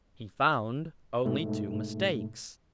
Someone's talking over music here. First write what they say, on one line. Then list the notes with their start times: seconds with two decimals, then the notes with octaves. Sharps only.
He found only two mistakes.
1.25 G#2 B2 A3